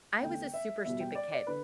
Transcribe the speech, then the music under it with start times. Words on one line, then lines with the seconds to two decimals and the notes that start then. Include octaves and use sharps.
I was a super stupid kid,
0.22 E2 D3 A3 G5
0.54 E5
0.85 E2 B2 G3 E5
1.00 G5
1.15 D5
1.32 D5
1.47 D3 B4